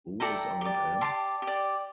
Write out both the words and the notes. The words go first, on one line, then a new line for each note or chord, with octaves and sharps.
Who is Aunt Em?
E4 A4 D5 G5 A#5
G4 D5
G4 D5 A5 C6
G4
D5